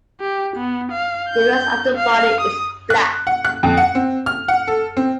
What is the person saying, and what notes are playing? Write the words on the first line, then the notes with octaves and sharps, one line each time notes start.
The rest of the body is black.
G4
B3
F5
G6
F5
D#6
F#6
F#5
F#6
F2
F#5
C4
F6
F#5
A4
C4